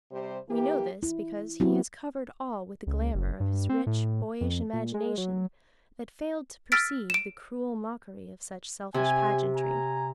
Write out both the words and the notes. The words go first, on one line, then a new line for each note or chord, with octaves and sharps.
We know this, because he has covered all with the glamour of his rich, boyish imagination that failed to perceive the cruel mockery of such selfish pageantry.
C3 G3 C5
E3 A#3 G4
E4
F#3 C4 E4 F#4 G4
C#2
F#1
G2
C4
A2
F2
A#2
G#3
F#3
E6 F6 A6 B6 D7
D7 E7
C3 G#5
G#5 A#5